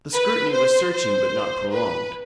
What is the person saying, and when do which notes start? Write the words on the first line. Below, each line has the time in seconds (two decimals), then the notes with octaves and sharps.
The scrutiny was searching but not prolonged.
0.13 B4
0.52 C5
0.92 C5
1.71 B4